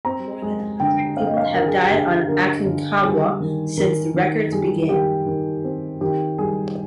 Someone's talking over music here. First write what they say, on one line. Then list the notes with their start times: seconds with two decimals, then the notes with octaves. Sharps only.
More than a hundred people have died on Aconcagua since records began.
0.05 C4 A#5
0.42 G#3
0.80 D3 G5
1.17 C4 F5
1.27 D#5
1.37 F5
1.54 D3 A#4
1.67 G#4
1.80 G4
1.91 D3 G#4
2.29 D3 A#4
2.66 D3
3.03 G3 G#4
3.40 D#3
3.77 D#3 A#4
4.14 D#3
4.52 G3 G#4
4.89 D#3 G4
5.26 D#3
5.64 C4
6.01 D#3 G4
6.38 G3 G#4